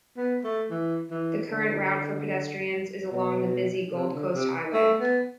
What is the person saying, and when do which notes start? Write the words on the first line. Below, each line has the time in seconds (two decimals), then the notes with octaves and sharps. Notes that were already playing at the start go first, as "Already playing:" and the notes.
The current route for pedestrians is along the busy Gold Coast highway.
0.17 B3
0.44 A3
0.71 E3
1.11 E3
1.51 D3
3.12 B2
3.93 C3
4.13 D3
4.33 C3
4.74 A3
5.01 B3